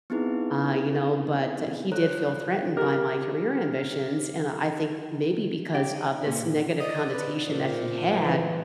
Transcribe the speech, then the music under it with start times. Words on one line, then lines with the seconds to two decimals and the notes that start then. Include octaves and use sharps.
uh, you know, but, uh, he did feel threatened by my career ambitions, and I think maybe because of this negative connotation that he had,
0.10 B3 C4 D#4 E4 G#4 B4
1.92 A4 C5 C#5 A#5 F#6
2.77 G4 A#4
5.75 G4
5.94 D#4
6.26 A#2
6.80 D5 D#5
7.14 B4
7.47 A#2 C5
8.18 E3